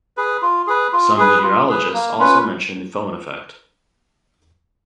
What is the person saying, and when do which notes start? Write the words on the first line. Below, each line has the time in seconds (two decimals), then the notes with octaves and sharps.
Some meteorologists also mention the foehn effect.
0.17 G#4 B4
0.42 F4
0.67 G#4 B4
0.93 F4
1.17 G#4 B4
1.43 F4
1.69 G#4 B4
1.94 A#3
2.19 C#4 F4 B4